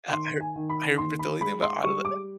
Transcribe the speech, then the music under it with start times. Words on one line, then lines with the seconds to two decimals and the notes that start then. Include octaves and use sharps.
uh, I r I remember the only thing about Out of the
0.12 D#3 C6
0.41 G#5
0.56 D#3
0.70 B5
0.98 D#2 C6
1.19 B5
1.41 G#3 B5
1.63 C6
1.83 G3 C#6
2.05 D6